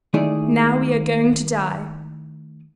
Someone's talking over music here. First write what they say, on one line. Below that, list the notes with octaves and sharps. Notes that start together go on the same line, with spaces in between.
"Now we are going to die."
D#3 A3 D#4 E4 G#4 D5